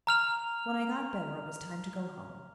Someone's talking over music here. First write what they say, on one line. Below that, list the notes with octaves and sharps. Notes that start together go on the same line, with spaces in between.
When I got better it was time to go home.
A#5 F6 F7